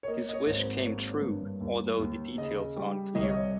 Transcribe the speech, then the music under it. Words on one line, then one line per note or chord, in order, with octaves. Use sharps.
His wish came true, although the details are unclear.
C#5
A#3 D#5
D#5
C#5
G#1
C5
A#3 C#5
G2
D#2
D#2
C#3 D#5
G3
C2 D#5
C#5
D#5